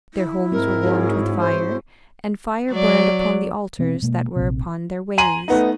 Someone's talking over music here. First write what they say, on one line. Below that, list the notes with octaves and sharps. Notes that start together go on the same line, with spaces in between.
Their homes were warmed with fire, and fire burned upon the altars that were upon their ways.
E4
G#2 C4 A#4
F#4 G#4 C#5
C5
F#3 D5
B2 E3 B3 C4
B2 G#3 A#3
A#1 C3
G#5 A#5 C6 D#7 F#7
A3 B3 D#4